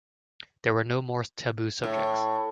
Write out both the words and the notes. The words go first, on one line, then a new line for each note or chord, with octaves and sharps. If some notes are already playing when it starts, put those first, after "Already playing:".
There were no more taboo subjects.
A2